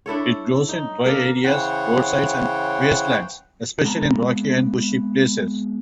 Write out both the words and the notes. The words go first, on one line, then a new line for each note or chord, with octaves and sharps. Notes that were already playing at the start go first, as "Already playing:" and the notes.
It grows in dry areas, roadsides and wastelands, especially in rocky and bushy places.
D4 E4 A4 C#5
D#4
A#3 D4 A4 A#4
C#3 E3 C5 C#5 F#5 G5
G#3 B3 C4 F#5 A5 A#5